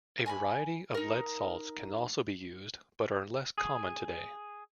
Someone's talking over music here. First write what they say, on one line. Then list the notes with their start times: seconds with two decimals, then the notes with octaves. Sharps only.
A variety of lead salts can also be used, but are less common today.
0.26 G#5 A#5 B5
0.94 D#4 A#4
3.58 G#4